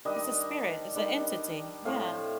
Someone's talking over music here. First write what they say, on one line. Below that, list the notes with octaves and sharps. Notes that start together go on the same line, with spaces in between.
It's a spirit. It's a entity. Yeah.
D#3 G3 D4 D#5
D#3 G3 D4
A2 A3 C4 F5